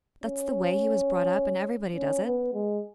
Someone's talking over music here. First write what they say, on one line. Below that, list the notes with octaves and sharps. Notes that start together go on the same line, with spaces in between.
That's the way he was brought up, and everybody does it.
C#4
C#4
B3
G#3